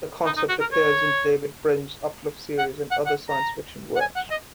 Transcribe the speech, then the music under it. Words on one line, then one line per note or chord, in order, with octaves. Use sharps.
The concept appears in David Brin's Uplift series and other science fiction works.
D#4
D#4
F#4
A#4
C#5
F#5
F#5
F#5
A#5
F#5
G#5
F#5
D#5